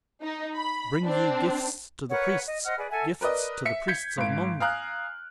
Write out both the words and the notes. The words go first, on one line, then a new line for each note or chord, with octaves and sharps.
Bring ye gifts to the Priests, gifts to the Priests of Mung.
D#4
B5
C4 D4
A#4 B4 C#5 F#5
D#5
C5 D#5 F#5 F6
G#4 B4 D5
A4 E5 F#5 G#5
A#4 B4 D5 D#5
E5 B6 C#7
G6 G#6 B6 C#7
G#1 D7
F5 G#5 A#5 D#6 F6 F#6